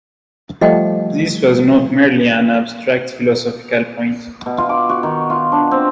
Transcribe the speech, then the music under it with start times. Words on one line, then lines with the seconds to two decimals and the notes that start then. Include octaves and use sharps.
This was not merely an abstract philosophical point.
0.61 F3 G3 A3 D#5 F#5 G5
4.46 B2
4.58 F4
4.69 D6
4.89 F#4
5.03 D#3
5.30 F4
5.52 D4
5.71 C4